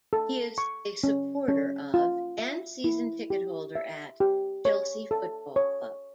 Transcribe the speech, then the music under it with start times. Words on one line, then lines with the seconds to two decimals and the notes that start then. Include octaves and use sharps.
He is a supporter of, and season ticket holder at, Chelsea football club.
0.13 A4
0.58 C#6
1.04 C#4
1.48 C#4
1.94 F4
2.39 E5
2.84 E4
3.30 G4
3.75 E5
4.20 G4
4.65 C#5
5.11 A4
5.56 C#5